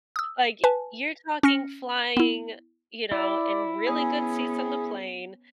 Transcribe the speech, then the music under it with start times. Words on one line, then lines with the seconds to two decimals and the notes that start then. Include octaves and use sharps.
Like, you're talking flying, you know, in really good seats on the plane,
0.16 D#6 E6
0.64 B4 G#5 A5
1.43 C#4 F6 A#6 C#7
2.17 B3 E4
3.12 E4 D5
3.86 B3 C#4 G#4